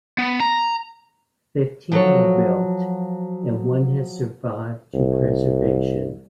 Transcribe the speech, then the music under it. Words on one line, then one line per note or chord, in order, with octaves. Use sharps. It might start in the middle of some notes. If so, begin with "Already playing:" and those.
Fifteen were built, and one has survived to preservation.
B3
A#5
F3 F#3 F#4 A4 C#5
C2